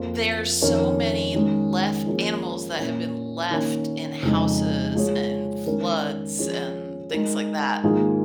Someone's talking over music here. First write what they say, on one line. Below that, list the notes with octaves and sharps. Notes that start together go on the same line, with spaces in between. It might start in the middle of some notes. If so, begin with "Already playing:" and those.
There's so many left animals that have been left in houses and floods and things, like, that.
Already playing: F2 F3 A#3 F4
F2 D#3 C#4 A#4 C#5
D#3 G#3 C#4
F3 A#3 C#4 F4 G#4
A#2 A#3 C#4
D#3 A#3 C#4
F2 C#3 G#3 D#4
G#3 F4 G#4 C#5
D#3 G#3 C#4 A#4
F3 C#4 G#4 C#5
G#3 D#4 A#4
G#2 D#3 A#3 F4 G#4